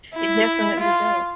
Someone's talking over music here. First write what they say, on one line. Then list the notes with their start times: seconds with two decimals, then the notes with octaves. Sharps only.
it definitely does.
0.16 E4
0.80 F4